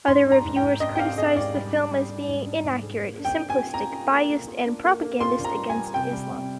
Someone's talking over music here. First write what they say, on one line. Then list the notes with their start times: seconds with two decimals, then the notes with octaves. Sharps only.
Other reviewers criticised the film as being inaccurate, simplistic, biased and propagandist against Islam.
0.08 G#2 C6
0.26 D4
0.32 A#5
0.45 G#2
0.56 G5
0.62 G#2
0.80 D4 D#5
0.95 G5
0.99 D4 F5
1.18 G#4 D#5
1.35 G#2 D5
1.54 G3
1.73 D4
1.91 G3
2.09 G3
2.28 G#2
2.46 D4
2.64 G#2
2.82 G#4
3.00 A#3
3.19 D4
3.25 G5
3.37 D4
3.50 G#5
3.56 F4
3.74 F4 A#5
3.92 F4
4.11 A#3
4.29 A#3
4.48 F4
4.66 D4
4.84 A#3
5.02 A#3
5.20 F4 C6
5.39 D4
5.45 A#5
5.57 G3
5.69 G#5
5.76 G3
5.94 C3 G5
6.12 G3
6.31 C3